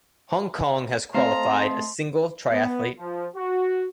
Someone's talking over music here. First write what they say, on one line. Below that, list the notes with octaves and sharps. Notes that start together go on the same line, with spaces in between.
Hong Kong has qualified a single triathlete.
A3 C4 C5 D#5 F5 A5 A#5 C6
B3
F3
F#4